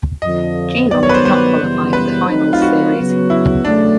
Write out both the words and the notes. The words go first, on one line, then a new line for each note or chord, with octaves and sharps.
Geelong did not qualify for the finals series.
F2 D3 F3 D#5
G2 D#3 F#3 B3 D5
C#5
B4
C5
C5
F#2 C#3 E3 G3 B3
B4
F#3 A3 C4 D#4
F4
F#4
C#3 F#3 B3
E4
E2 C#3 F#3 A3 D4